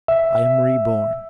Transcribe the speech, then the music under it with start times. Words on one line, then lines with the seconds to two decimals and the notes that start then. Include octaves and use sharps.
I am reborn.
0.08 E5